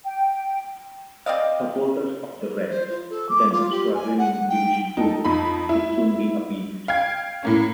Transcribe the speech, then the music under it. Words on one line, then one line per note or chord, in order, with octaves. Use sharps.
Supporters of the "Reds", then struggling in Division Two, would soon be appeased.
G5
C4 D5 D#5 F5
C5
F4
A4
D6
F4
G4
G#5
F#5
G5
D#4 A4
F2 D#4 B5
E4
F5 G5 G#6
A2 A#3 C#4